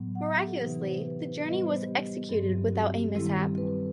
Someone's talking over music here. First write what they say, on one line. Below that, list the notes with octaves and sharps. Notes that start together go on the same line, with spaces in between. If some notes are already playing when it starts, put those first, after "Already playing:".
Miraculously, the journey was executed without mishap.
Already playing: A2 F#3 B3
F#5
E5
G4
A4
C3 E3 B3 D#4 B4
C5
B4
B4
A2 G3 B3 D#5
C5
G4
G2 F#3 C4 A4
G4
F#4
G4
D#3 G3 C4 E4 A4
B4